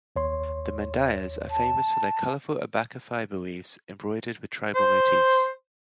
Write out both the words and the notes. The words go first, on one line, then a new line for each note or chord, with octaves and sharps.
The "Mandayas" are famous for their colorful abaca fiber weaves embroidered with tribal motifs.
D#2 C#5 C6
A5
C5